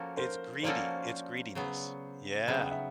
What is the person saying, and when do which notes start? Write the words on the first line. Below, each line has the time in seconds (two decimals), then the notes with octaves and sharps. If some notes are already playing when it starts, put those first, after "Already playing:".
It's greedy, it's greediness. Yeah.
Already playing: F3 A#3 C#4 F#4 A4 A#4
0.17 A#4 C5
0.63 F3 A#3 C#4 F#4 A4 C5 D5
1.55 C#3 F#3 B3
2.47 C#3 F#3 B3 F#5
2.60 G5
2.71 E5 F#5